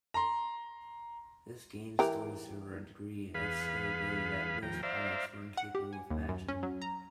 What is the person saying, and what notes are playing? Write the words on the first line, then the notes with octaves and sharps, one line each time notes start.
This gained StoryServer a degree of scalability that most products were incapable of matching.
A#5 C6
E3 G4 A#4
E2 G#4 B4 F5 B5
D#2 F3 G5 A#5
C5 D5 E5 F5 A#5
F#5
G4
G#5
D#2
F#2
C#4
F#3
A#5